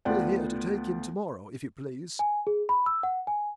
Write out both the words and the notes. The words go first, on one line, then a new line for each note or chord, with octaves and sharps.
Be here to take him to-morrow, if you please.
D2 B3 F4 D5 F#5 G5
G#5
G#4
B5
E6
F#5
G#5